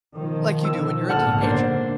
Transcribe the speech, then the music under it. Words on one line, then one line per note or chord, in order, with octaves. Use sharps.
Like, you do when you're a teenager.
B2 D#3 F3
E6
A#1 G#2 D3 F#5 A5 F6
A#3 D4 C5